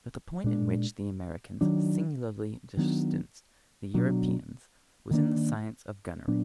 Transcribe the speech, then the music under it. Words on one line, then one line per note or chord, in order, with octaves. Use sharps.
But the point in which the Americans singularly distanced the Europeans was in the science of gunnery.
A#2 G#3 D4
D#3 F#3 D4
D#3 F#3 B3 D4
B2 F#3 D4
D#3 A#3 D4
A#2 F#3 B3 D4